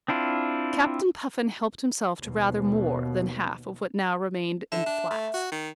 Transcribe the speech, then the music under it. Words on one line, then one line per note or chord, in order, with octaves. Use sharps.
Captain Puffin helped himself to rather more than half of what now remained in the flask.
C4 D4 E4 F4
D#2 B2
D3 E5
D4
A3
F#4
D#3